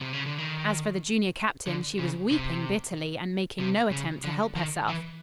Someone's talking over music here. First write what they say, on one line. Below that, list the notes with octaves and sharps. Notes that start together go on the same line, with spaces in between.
As for the junior captain, she was weeping bitterly, and making no attempt to help herself.
C3
C#3
D3
D#3
D3
C#3
C3
C3
C#3
D3
D#3
E3